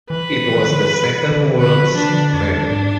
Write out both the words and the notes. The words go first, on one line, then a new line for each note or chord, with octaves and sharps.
It was the second World's Fair.
E3 B4
F3
E3
D3
E3
E3
D3 B4
F3
D4
E3
D3
F2 D4
E2
G#2